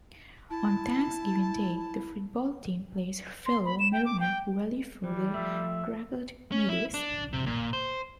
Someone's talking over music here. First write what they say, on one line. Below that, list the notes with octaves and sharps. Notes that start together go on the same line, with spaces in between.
On Thanksgiving Day, the football team plays fellow Merrimack Valley foe the Dracut Middies.
E4 A5
C6
B5
E7
G5
D6
G5
E3 G3
F3 A3 E5
C#4
E4
D4
C3
A#2
C5